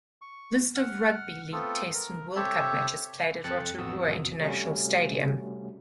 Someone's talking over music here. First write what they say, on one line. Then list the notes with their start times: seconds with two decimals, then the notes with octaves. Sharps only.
List of rugby league Test and World Cup matches played at Rotorua International Stadium.
0.22 C#6
0.76 F#5 F6
1.52 A3 B3 C4 F4 A4
1.94 A#4
2.36 C4 G4 A4 C#5 E5 A5
3.44 F2 A4 G5 F#6 A6 C#7
3.78 A1 F2 B3 F#4 D#6 E6
4.40 C3 G3 A3 C#4 F#4